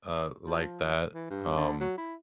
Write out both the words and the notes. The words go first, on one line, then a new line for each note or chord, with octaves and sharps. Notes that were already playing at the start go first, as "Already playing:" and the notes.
uh, like that. Um,
F3
E3
G2
D3
F#3
E4